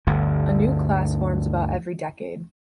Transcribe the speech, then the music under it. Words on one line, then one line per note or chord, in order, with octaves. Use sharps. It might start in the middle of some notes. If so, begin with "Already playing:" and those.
A new class forms about every decade.
G1 D2 D3